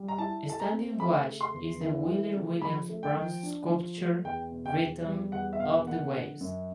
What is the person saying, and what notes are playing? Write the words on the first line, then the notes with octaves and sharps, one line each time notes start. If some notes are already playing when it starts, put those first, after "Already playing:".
Standing watch is the Wheeler Williams' bronze sculpture Rhythm of the Waves.
Already playing: G3
A#5
E4 A5
A4 A5
A#5
C4
A3 B5
C#3
C6
E2
E3
A3
C#3
F3 B5
A3
G5
F3
D4
F3
A3
E2 G5
B2
G5
E2
G3
E2 F#5
E5
B2 F5
A#3 F#5
D3
F#2